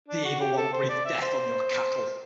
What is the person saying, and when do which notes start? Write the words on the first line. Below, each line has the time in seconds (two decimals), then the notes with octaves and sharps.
The Evil One breathe death on your cattle!
0.08 D4
0.25 F#4
0.40 G4
0.57 A4
0.73 C5
0.89 D5
1.05 E5
1.21 C5